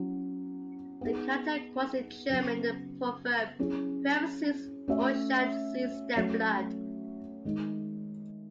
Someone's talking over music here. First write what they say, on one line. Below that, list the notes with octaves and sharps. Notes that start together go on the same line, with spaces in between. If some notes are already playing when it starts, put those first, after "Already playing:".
A character quotes in German the proverb 'Whoever sees Ushant sees their blood.
Already playing: F#3 C#4 E4
B3 D#4 G#4
C#3 F#3 B3
F#3 C#4 E4 G#4 C#5
A3 C#4 F#4 C#5 E5
F#3 A3 C#4 F#4 C#5
D#3 G#3 D#4